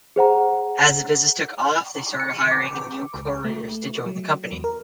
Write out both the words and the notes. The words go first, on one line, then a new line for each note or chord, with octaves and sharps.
As the business took off, they started hiring new couriers to join the company.
G#4 C5 F#5 A#5
C#7
D6
C#2
A3
F#3
E2
A#4